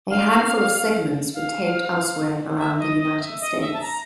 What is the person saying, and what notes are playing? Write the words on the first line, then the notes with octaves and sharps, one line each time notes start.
A handful of segments were taped elsewhere around The United States.
F5
F5
E5
D#5
D#5
E5
D#5
D#5
E5
A5
A#5